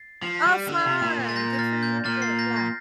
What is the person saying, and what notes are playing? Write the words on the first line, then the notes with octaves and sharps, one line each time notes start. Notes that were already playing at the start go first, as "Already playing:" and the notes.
Oh, fun! Good for you. Yeah.
Already playing: A6 C7
F3
G3
D3
C3
A#2
A#2
A6
G6 A#6
A#6
F6 A6
G6
A#2 F6 A6
A6 C7
G6 A#6
G6 A#6